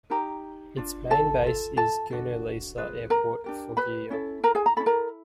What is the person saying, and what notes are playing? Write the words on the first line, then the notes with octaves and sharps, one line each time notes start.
Its main base is Gino Lisa Airport, Foggia.
D#4 G4 A#4 A#5
D4 F4
A4 A5
F4 A4
A4 A5
D4 F#4 A4
F4 G#4 B4
A#4 A#5
D4 G4 A#4
B4 B5
C#4 E4 A4
A#4 A#5
G#4 G#5
A#5
C#4 E4 A4 B5
A#4 A#5